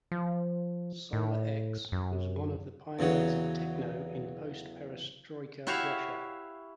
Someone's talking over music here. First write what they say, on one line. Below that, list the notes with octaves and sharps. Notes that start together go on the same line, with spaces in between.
SolarX was one of the pioneers of techno in post-Perestroika Russia.
F3
A2
F#2
E2 C#3 F#3 C#5
E4 F#4 G4 C#5 E5 F5